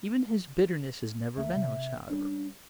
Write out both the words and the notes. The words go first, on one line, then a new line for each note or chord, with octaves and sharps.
Even his bitterness is never venomous, however.
D2 A3 A#3 E5
C3
G3 G#3 C#4 D4